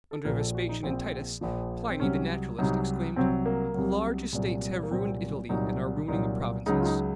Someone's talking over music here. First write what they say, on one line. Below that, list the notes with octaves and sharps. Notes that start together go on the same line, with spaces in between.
Under Vespasian and Titus, Pliny, the naturalist, exclaimed: "Large estates have ruined Italy, and are ruining the provinces."
A4
A#1 A#2 F3 A#4
A4
F#4
D#4
A#1 A#2 F3 C4
A#1 A#2 F3
C4
C2 C3 F#3 C#4
C2 C3 F#3 D#4
C2 C3 F#3 C4
A#3
C2 C3 F#3
C2 A#2 F#3
A#3
C2 A#2 F#3 C4
C2 A#2 F#3 D#4
C2 A#2 F#3 D#4
C#2 C#3 F#3 D#4
F4
D#4